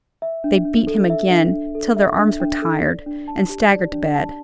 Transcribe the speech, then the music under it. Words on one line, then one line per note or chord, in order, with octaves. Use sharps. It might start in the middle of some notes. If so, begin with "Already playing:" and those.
They beat him again, till their arms were tired, and staggered to bed.
E5
D4
D4
A4
E5
D4
D4
A4
E5
D4
D4
A4
D5
D4
A5
G4
D5
D4
A5